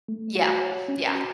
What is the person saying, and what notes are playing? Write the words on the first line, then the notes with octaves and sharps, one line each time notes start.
Yeah, yeah.
A3
F#4
C#5
C#4
F#4